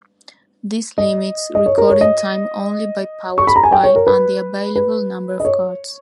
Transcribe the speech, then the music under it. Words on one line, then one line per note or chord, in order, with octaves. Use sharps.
This limits recording time only by power supply and the available number of cards.
D#5
D#5
C#5
A#4
C#5
D#5
C#6
B5
A#5
G#5
G5
C#5
A#4
B4
B4
D#5
C#5